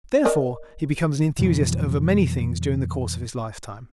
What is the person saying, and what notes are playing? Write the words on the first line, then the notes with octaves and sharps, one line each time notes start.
Therefore he becomes an enthusiast over many things during the course of his lifetime.
A#4 D5 D#5
F2 B2 E3 F#3